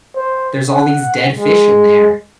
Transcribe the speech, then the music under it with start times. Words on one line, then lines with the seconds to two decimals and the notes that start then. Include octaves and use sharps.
There's all these dead fish in there.
0.16 C5
0.70 F#5
1.38 G#3